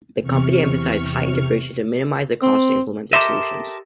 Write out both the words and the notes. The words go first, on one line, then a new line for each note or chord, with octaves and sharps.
The company emphasized high integration to minimize the cost to implement their solutions.
E2 C3 C#6 F6
C4
G4 A4 A#4 C5 D#5 E5